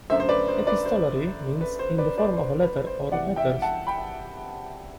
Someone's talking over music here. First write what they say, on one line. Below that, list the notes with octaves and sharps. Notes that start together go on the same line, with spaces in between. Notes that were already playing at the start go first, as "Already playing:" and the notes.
"Epistolary" means "in the form of a letter or letters".
F#2 D3 A3 C5 E5
C5
B4 D5
C5
B4 D5
C5
B4
C5
B4 D5
B4 D5
C5
B4
C5
E2 C3 E3 D5 F#5
E5 G5
F#5 A5
G5 B5